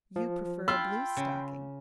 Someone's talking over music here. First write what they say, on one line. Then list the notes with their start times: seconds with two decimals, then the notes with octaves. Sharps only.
"You prefer a bluestocking."
0.16 F3
0.68 F4 G5 B5 C6 E6
1.17 C#3